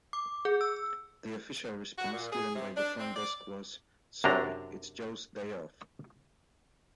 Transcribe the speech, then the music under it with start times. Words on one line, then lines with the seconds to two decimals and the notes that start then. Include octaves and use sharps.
The official response given by the front desk was, Sorry, it's Joe's day off.
0.13 D6
0.45 G#4
0.61 E6
1.99 F#4
2.13 A#2
2.32 G#4
2.56 C3
2.77 D4
2.99 C4
3.16 D5
4.24 F#2 C3 D4 A#5